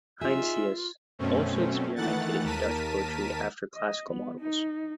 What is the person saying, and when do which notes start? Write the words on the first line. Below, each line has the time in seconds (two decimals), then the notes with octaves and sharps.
Heinsius also experimented in Dutch poetry after classical models.
0.21 D#4 F4 G#4 E5
1.19 F#2 B2 A3 C4 C#4
1.96 D#3 E3 A3 F#5 F#6 A6
2.43 D#2 A#4 A5 B6 D#7
3.75 D#5
4.10 B3
4.41 D#4